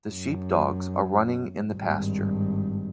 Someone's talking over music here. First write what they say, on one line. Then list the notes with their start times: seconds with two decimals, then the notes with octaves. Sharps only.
The sheepdogs are running in the pasture.
0.10 F#2
1.72 G#1 G2